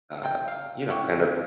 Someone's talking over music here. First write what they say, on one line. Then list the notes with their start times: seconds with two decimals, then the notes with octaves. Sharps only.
uh, you know, kind of,
0.23 C3 G5
0.48 F5
0.90 E4 F#4 G4